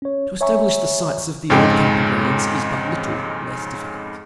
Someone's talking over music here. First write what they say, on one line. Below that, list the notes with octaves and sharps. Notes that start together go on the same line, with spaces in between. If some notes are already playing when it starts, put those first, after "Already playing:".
To establish the sites of the old camping grounds is but little less difficult.
C#4 C#5
C#5 E5 G#5 A#5 C#6
F2 G#2 C#3 G#3 G5